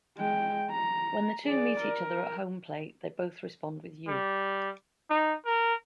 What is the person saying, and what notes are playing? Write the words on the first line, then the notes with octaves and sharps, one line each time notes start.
When the two meet each other at home plate, they both respond with You!
G#3 G5
A#5
G#4 D5
A#4
G3
D#4
A#4